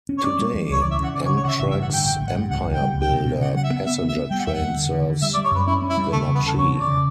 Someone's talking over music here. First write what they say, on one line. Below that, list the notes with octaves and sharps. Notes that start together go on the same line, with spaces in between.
Today, Amtrak's "Empire Builder" passenger train serves Wenatchee.
C#4
C#5
C#4 D5
G3
E2
C#2 C#5
D5
E3
E5
C#3 F#5
C#3 D5
C#5
C#3
C#5
C#3 E5 F#5
A1 E5
E5
G2
F#5
D3 G5
A1 G5
A1
F#5
G2
C#2 F#5
C#2
G5
G3
C#2
G5
B2
B2
C#3 F#5
F#3 F#5
E5
B3
B3 E5
B3
E5
B3
G3 G5
F#5
E2 E5
F#5
E2
D3
D3
D3
G3 E5
D5
G3
C#5
F#2 B4
C#4 E4
C#4
E4
G3
C#3 A3
E2
B3
C#3 A4
E2 C#5
C#3
D5
C#3